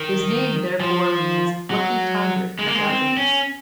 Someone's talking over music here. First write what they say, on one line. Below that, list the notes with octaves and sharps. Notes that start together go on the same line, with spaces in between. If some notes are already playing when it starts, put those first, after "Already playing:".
His name therefore means "lucky tiger" in Japanese.
Already playing: D#3
F3
F#3
G#3
A#3
G#3
C4
C#4